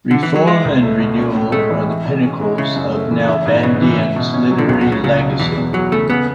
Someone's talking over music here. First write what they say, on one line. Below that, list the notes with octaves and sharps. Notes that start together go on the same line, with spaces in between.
Reform and renewal are the pinnacles of Nalbandian's literary legacy.
D3
E3
F#3
G#3 E4
C#2
A3
B2
C#4
A2
G#3 A3
E3
E4
B2
C#4
G#3
C#3 E4
F#2
A3
E3
E4
G#2
C#3 B3
E3
E4
B2
C#4
F#3
D3
C#2 C#3
B2
C#2
C#3
C#3 F#3
B2
E2 E3
E2
E3 F#3
C#3 A3
C#3 B3